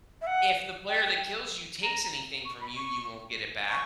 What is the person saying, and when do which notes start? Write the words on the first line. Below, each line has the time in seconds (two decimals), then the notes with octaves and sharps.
If the player that kills you takes anything from you, you won't get it back.
0.21 E5
0.27 F#5
0.89 G5
1.83 A#5
2.45 C#6
2.61 B5
2.76 C#6
3.70 C#6